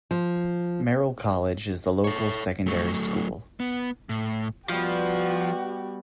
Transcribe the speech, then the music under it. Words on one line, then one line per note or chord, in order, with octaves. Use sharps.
Merrill College is the local secondary school.
F3
A4 C#5
F#3 A3
B3
A2
B2 F3 G3 F#4 G4 F5